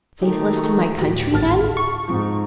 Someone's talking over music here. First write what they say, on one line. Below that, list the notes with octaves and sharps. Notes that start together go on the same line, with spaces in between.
"Faithless to my country then?"
D#3 A3 G4 A4
C#6
D2 A2 F#4 G4
G#1 A5 F6 A6
C#6
G#2 F3 C4 D#4